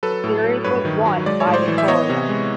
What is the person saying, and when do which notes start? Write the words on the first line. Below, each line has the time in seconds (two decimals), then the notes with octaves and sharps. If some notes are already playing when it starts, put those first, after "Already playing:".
The series was won by Victoria.
0.03 F#3 A4 B4
0.24 A2
0.44 F#3
0.64 G2 B4 C#5
0.85 D#3
1.05 F#3
1.26 G#3 D5
1.40 C#5
1.47 A2
1.54 C5 D5
1.68 E3
1.78 E5
1.88 B3 C#5 D#5
2.09 C3
2.29 G#3